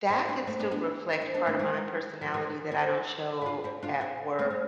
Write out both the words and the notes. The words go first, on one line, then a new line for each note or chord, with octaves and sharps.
that gets to reflect part of my personality that I don't show at work
C4 E4
B3 D4
A3 C4
B3 D4
B3 D4
C4 E4
B3 D4
A3 C4
E3 G#3
F3
E3 G#3
C4 E4
E4
D4 F4
C4 E4
D4 F4
C4 E4
A3 C4
G#3